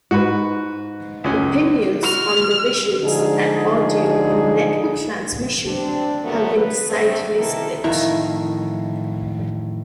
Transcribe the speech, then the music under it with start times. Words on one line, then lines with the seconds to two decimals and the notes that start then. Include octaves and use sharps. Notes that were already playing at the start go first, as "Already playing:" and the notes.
Opinions on the visuals and audio in "Network Transmission" have been decidedly split.
0.11 G#2 F#4 B4
1.24 C#2 F#2 C#4
2.03 F#4 F6
3.04 D3 F3 G#3 D#4 G#4
5.66 C4 D4
6.24 E2 A#2 F#3 A3 B3 A#4
6.56 B4
6.90 G2 A3 C4
7.37 C3 D#3 B3 E4 A4 A#4
7.84 F2 A2 D#3 E4 A#5